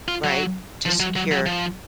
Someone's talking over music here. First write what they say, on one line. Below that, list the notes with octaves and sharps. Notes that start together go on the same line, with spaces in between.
right, to secure,
F4
F#3
F3
F#3
F#3
F#3
F3